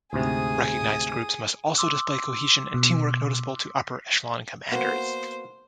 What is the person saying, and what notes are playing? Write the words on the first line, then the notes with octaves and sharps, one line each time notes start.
Recognized groups must also display cohesion and teamwork noticeable to upper echelon commanders.
D2 G#2 C3 G#4 D#6
C6 D6 E6
B2
A#3 B3 F#4 C5